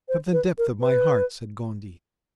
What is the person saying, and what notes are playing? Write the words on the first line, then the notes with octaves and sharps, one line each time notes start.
"From the depth of my heart," said Gondy.
C5
B4
A#4
B4